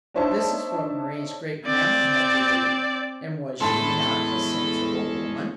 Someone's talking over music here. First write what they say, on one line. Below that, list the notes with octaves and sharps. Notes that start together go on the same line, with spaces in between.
This is what Mari's great-grandma had believed, and was she not a sensible woman?
D4 D#4 C5 C#5 E5 A5
C4 D5
E2 A2 G#3 C#4 A4 A5 C6